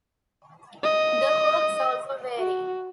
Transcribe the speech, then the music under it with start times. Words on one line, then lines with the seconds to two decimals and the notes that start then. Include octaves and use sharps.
The hooks also vary.
0.84 D#5
2.39 F#4